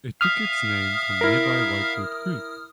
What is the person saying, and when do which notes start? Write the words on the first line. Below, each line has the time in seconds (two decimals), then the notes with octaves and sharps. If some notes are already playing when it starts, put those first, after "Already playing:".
It took its name from nearby Whitewood Creek.
0.21 E5 F5 D#6 F6
1.21 E4 A#4